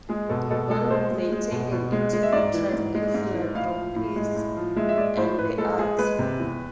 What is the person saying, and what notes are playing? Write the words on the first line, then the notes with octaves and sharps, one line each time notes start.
Bonwit maintained an active interest in philanthropies and the arts.
G#3 G#4
B2 A4
B2 A4
G#3 A4
G#3 C5
G#3
G#3
B2
B2
G#3
G#3
E5
G#2 D5
E3
G#2
G#3
G#2
E3
A2 F5
F3
A2
G#3
A2
F3
G#3 E5
E5
G#3 D5
A2 C5
A2 B4
G#3 A4
G#3 G#4
G#3 B4
C3
E2